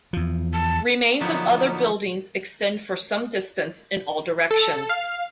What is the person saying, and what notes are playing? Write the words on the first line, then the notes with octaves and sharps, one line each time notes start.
Remains of other buildings extend for some distance in all directions.
E2 F3
A5
D3 F3 F#3 A#3 B3 D#4
A4
F5